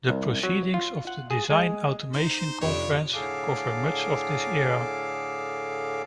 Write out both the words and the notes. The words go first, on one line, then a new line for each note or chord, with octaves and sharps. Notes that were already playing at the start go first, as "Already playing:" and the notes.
The proceedings of the Design Automation Conference cover much of this era.
C2
F#3
F4
F#5
G#4
G#3
D#4 C5
F2 C3 D4 E4 G4 C#5
A2 D3 G#4 A4 F5 D6